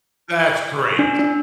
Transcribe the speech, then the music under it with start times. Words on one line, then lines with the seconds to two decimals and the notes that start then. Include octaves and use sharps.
That's great.
0.99 D4
1.19 D4